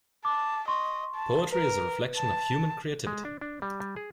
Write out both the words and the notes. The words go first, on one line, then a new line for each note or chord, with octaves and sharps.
Poetry is a reflection of human creativity.
A5 D6
D#5 C6 C#6
A5
A#4 B4
A5
G#3
D4
D4
G3
G3
G#4